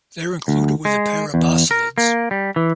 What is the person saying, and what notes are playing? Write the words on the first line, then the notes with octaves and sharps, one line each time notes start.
They are included with the Parabasalids.
D2
G#3
E2
A#4
A#3
G3
E3